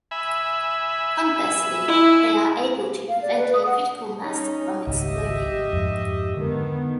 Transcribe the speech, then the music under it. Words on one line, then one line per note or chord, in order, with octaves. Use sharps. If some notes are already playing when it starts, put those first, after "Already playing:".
Conversely, they are able to prevent a critical mass from exploding.
E5 G#5 B5
E4
F5
D5
B4
D#6
F#5
C#4 D#4
G#1 C#2 G4 D#5 E5
F2 G#2
D3 D#3 G#3 B3